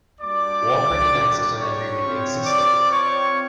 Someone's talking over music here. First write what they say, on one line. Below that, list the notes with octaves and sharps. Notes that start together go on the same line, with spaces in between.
Walker denied such an agreement existed.
G3 A#3 D4 F#4 D5 D6
C#5 C#6
C4 F4
D5 D6
C#5 C#6